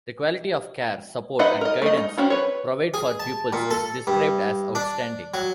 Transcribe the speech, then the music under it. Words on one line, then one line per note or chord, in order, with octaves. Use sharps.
The quality of care, support and guidance provide for pupils is described as outstanding.
D#4 B4 D#5 E5 F#5
A#4 D#5
A3 D#5
D#4
C4 C#4 F#4
B4 C#5
G#4
A5
A#2
A4
G2
D4
F#3